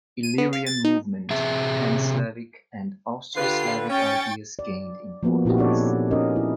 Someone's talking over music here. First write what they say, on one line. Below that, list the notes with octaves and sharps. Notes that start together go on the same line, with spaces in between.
Illyrian movement, Pan-Slavic and Austro-Slavic ideas gained importance.
D#7
B3
F5
A6
D#4
C3 G#4 E5
D3 F4 G4 B4 C7
C#4 G5 C#6 A6
D5
F3 A#3 B3 F#4 B4
A#2 C4 E4 F#4 G4
C#4 D#4 G4 A4 C#5 D5
C#4 D#4 F#4 A#4 D#5
E4